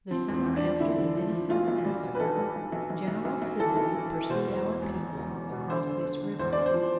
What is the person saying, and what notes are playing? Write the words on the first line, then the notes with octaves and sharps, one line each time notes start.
The summer after the "Minnesota massacre," General Sibley pursued our people across this river.
F3 C4
E2
C4
E2
D4
F3
D3 E4
D3
F3
F3
B1 F4
B1
G3
B2
B4
B1 A4
G3
B1
B1
B1
B1
B1
B1
E3 A4
B1
E3
E3
B2 C5
E2
E1
E1
E1
E2
E1
B2
D3 C5
D3
D3
D3
E2 C5
E2 D5
C5
F3